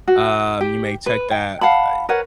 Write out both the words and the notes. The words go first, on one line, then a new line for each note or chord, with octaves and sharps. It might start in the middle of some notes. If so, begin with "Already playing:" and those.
um, you may check that, uh,
F#4
G4
B4
G5
F5 F#5 A5 B5
A#4 B4 C#5 F#5